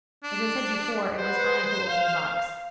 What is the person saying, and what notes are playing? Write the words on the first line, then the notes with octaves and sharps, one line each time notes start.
As I said before, it was I who opened the box.'
D4
B4 C5 F#5
F5